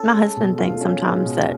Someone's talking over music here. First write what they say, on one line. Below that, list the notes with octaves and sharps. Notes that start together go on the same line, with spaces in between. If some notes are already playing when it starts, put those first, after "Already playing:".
my husband thinks sometimes that
Already playing: C#4 A4
G#3
B2
F4
C#4
G#3
B2